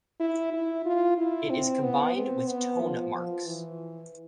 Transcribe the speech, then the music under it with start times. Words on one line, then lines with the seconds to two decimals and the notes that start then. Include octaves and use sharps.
It is combined with tone marks.
0.20 E4
0.53 E4
0.86 F4
1.18 E4
1.50 C4
1.83 B3
2.16 C4
2.48 B3
2.81 F3
3.14 F3
3.46 E3